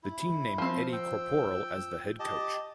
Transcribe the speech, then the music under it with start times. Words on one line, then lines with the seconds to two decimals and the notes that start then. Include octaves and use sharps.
The team named Eddie Corporal as the head coach.
0.03 E4
0.58 F3 C4
0.93 G5 E6
2.20 G4 D#5 A5